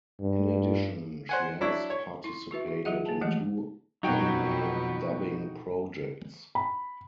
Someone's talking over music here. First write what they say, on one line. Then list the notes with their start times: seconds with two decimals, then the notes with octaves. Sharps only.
In addition, she has participated in two anime dubbing projects.
0.20 G2
1.29 C5 F#5 G#5
1.61 F#3 D4 E4
1.90 C#5
2.24 E4 C6
2.51 E4 F#4 B4 E5
2.68 E4
2.85 F#3 F4 G#4 D#5 E5 F#5
3.06 A#3 A5
3.21 E3 F3 G#3 A3 G4 D#5
4.03 F2 B2 F#3 B3 D#4 F#4 G5
6.55 B5